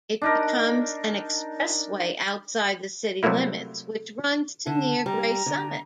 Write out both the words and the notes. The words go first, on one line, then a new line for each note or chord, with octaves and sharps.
It becomes an expressway outside the city limits, which runs to near Gray Summit.
D4 D#4 A#4
C3 F#3 G3 A3 A#3 E4
D3 A5
G3 A#5
D3